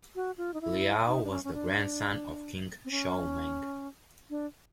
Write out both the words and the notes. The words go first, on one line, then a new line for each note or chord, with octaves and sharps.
Liao was the grandson of King Shoumeng.
F#4
F4
D#4
E4
D#4
D4
C#4
C#4
D4
C4
C#4
D4